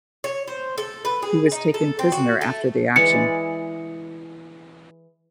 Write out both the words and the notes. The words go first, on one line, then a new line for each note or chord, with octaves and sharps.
He was taken prisoner after the action.
C#5
C5
A4
B4
G#4
D#4
A4
C4
F#4
A3
E3 G#3 D5 C#7